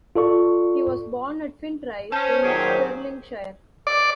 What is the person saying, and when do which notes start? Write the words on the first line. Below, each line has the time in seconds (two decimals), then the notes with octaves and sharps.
He was born at Fintry in Stirlingshire.
0.16 F4 A4 D5 C#6
2.12 C#4 C5 A5 G6
2.43 A#2 D#3 F#3 G4 G#4 C#5
3.87 D5